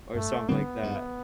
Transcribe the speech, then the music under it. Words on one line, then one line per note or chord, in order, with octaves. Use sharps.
or something like that.
G2 A3
D3 G3 B3 C4
G2